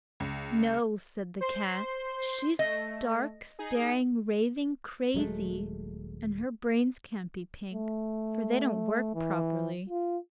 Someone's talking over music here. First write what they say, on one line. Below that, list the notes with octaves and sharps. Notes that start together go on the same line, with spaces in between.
"No," said the cat; "she's stark, staring, raving crazy, and her brains can't be pink, for they don't work properly."
C#2
C5 C6 C7
A3 D#5
D#4 G#4
D#1 F#3 G#3 A3
A3
E3
F4